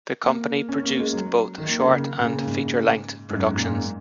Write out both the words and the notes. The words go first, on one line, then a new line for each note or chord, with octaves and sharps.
The company produced both short and feature-length productions.
A#3
C#4
A#3
G#3
F#3
D#3
A#3
C#3
C#3
A#2
C#3
G#2
G#2
F#2
G#2
A#2
G#2